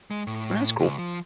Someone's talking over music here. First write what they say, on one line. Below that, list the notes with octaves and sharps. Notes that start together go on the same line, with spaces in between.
That's cool.
G#3
A2
C#2
F3